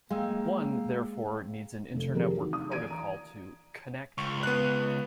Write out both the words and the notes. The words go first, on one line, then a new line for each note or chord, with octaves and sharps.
One, therefore, needs an inter-network protocol to "connect" them.
G#3 A#3 F5 G5 E6
F1 A4
C3 E3 F3 G4 G#4 A#4
D#4 F#4
D#6
E3 D5 G#6 D7 D#7
A#5
C#2 C#6
B3 F#6